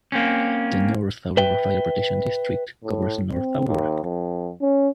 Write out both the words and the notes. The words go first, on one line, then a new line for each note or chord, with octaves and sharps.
The North Aurora Fire Protection District covers North Aurora.
A#3 C4 C#4
B4 E5 G5
A2
C4
D#2
F2
C#4